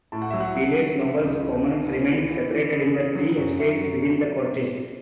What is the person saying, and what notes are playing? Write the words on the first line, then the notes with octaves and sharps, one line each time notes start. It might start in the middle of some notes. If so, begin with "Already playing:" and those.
Prelates, nobles and commoners remained separated in the three estates within the Cortes.
A2 A5
F#5
F#3 E5
F#5
F#3
F#3
C#3 E5
C#2
E3
C#4
C#2
E3
E3
E3
C#3
C#3
F#3
F#2
F#2 E5
F#3